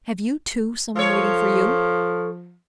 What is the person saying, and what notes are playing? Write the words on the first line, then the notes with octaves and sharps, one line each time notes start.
"Have you, too, some one waiting for you?"
F3 A4 C#5